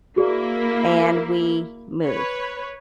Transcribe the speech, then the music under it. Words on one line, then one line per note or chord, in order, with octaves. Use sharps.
and we moved.
A#3 E4 F#4 G#4 D5
B4 C#5